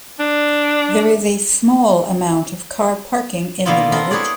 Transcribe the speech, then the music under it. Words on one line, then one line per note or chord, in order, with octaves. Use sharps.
There is a small amount of car parking in the village.
D4
B2 D3 A#3 B3 E4 F4
B3 C4 A4 A#4
E4 G#4 B4 C#5 D5